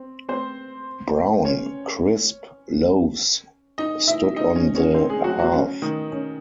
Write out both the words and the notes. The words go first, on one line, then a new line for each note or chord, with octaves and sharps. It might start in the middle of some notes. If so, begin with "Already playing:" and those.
Brown, crisp loaves stood on the hearth.
Already playing: C4
C4 C5
C#4 C#5
D#4 D#5
E4 E5
D#4 D#5
C#4 C#5
C#4 C#5
C4 C5
G#3 G#4
F#3 F#4
F#3 F#4
C#4
D#3 D#4
C#4